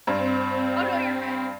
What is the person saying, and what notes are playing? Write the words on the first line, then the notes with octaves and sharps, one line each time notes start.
Oh no, you're good.
G2 C4